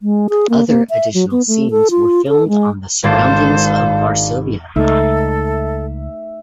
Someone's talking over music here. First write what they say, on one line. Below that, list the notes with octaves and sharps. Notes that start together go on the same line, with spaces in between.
Other additional scenes were filmed on the surroundings of Varsovia.
G#3
G#4
A#3
A#3
E5
F#3
B3
A3
A4
F4
A4
G#3
G#1 A#3 D4 F4 A4 C5
C#2 A3 D#4 A4 E5